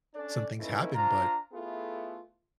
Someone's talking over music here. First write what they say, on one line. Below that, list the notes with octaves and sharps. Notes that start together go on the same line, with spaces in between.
some things happen, but,
C#4 D4 A4 D5
A#3 C#4 D#4 E4 A4 B4
D4 F4 C5 A#5
A3 B3 E4 F4 G#4 A4